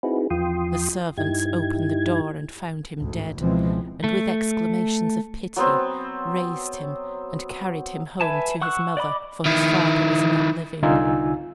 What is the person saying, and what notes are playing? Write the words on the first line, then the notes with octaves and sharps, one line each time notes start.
The servants opened the door and found him dead, and with exclamations of pity raised him and carried him home to his mother, for his father was not living.
C4 D#4 E4 F#4 G#4 B4
E2 F3 F4 G5 C6 D#6
G2 D#4 E4 G4 G#6
A1 D2 G#2
C#2 B2 E3 F3 G#3 C4
A3
F#3 B3 C4
B4 E5 G#5 A5
F#5 C#6 E6 F#6
D5 D#5 B5 D6
D#3 E4
C2 D3 D#4 F4 G#5 E6